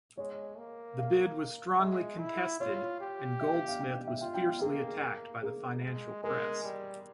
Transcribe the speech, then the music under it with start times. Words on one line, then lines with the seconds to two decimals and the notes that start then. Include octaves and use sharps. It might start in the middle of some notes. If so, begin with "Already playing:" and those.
The bid was strongly contested and Goldsmith was fiercely attacked by the financial press.
0.17 G#3 C#5
0.57 A#3
0.99 F5
1.79 G#3 E5
2.19 E4
2.60 F4 C#5
3.01 G4
3.41 E5
3.54 F5
3.68 F5
3.81 G5
3.94 F5
4.07 E5
4.21 F4 G5
4.34 G5
4.48 F5
4.61 A#3 G#4
5.43 A#3 G#4
5.83 G#3
6.23 G#3 A#4
6.64 G3